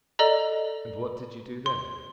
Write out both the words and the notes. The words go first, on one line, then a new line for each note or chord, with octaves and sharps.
"And what did you do then?"
A4 D5 D#5 A#5
C6